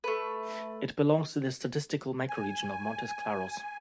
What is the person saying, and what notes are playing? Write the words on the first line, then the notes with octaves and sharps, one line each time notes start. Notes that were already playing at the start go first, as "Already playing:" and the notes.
It belongs to the statistical microregion of Montes Claros.
A3 B4
G#5